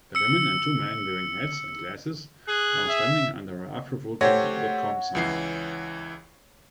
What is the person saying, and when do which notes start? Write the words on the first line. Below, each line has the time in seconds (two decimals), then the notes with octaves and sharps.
A woman and two men wearing hats and glassess are standing under a avrovulcan.com sign.
0.15 E6 C#7
2.48 G#4 F#6
2.89 E5
4.21 A3 F#4 G4 C5 C#5
5.15 C#2 E3 C7